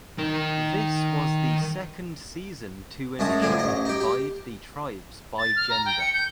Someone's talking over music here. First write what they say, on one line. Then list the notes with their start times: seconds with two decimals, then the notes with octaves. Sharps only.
This was the second season to initially divide the tribes by gender.
0.18 D#3 A#4
3.19 F#2 G#3 A3 D#6
3.42 A2 D3 F3 G#4
3.59 A1 D#5
3.85 D#4 G4
4.00 G4
5.38 A6
5.56 F6
5.70 A#5
5.85 G5
5.99 C#7
6.14 G6